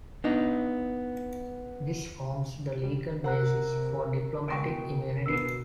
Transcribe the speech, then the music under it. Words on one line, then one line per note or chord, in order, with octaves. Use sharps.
This forms the legal basis for diplomatic immunity.
B3 D4 D#4
G3
C3 A#4 F#5 A#5 F#6
C#2 B2 G5 C6 C#6 D7
B2 D3 B3 E6 C7